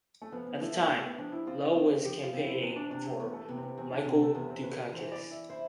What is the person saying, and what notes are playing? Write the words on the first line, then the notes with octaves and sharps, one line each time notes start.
At the time, Lowe was campaigning for Michael Dukakis.
A3
F3 B3
B3
A3 E4
B3
A3 G4
B3
F3 D4
E4
C4 F4
C4
F3 G4
F4
C4
E4
E2 B3
D4
C3 D4
C4
E2 B3
A3
C3 B3
C4
B3
E2 C4
D4
C3 C4
A3
E2 B3
C4
E2 B4
B4
E3 C5
D5
E3
E5
E4 C5